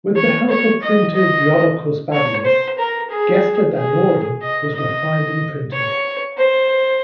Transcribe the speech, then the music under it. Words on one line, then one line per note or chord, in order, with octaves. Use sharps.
With the help of printer Jodocus Badius, "Gesta Danorum" was refined and printed.
C#5
C#5
D#5
D#5
C#5
C5
A#4
G#4
G#4
D#5
D#5
C#5
C5